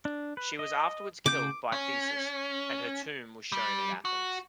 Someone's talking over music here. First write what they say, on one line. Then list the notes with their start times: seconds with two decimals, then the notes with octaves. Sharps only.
She was afterwards killed by Theseus, and her tomb was shown at Athens.
0.05 D4
0.37 B4
0.59 D#5
1.26 C#3 F#4 D6 G6
1.73 C#4
3.52 G3
4.05 F#4